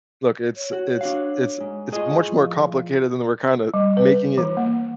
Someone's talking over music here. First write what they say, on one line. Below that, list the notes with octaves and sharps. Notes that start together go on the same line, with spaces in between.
look, it's it's it's it's much more complicated than we're kinda making it,
C#5
F#4
D4 F#4 F5
G#2
A2 F4 G#4 D#5
F3
G3
B4
E3
A#3